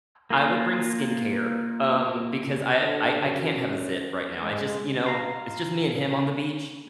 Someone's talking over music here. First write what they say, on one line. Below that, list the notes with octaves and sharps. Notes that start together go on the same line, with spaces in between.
I would bring skincare, um, because I I I can't have a zit right now. I just you know, it's just me and him on the beach.
A#3 F4
D3
F#2
G#3
F5 A#5 C6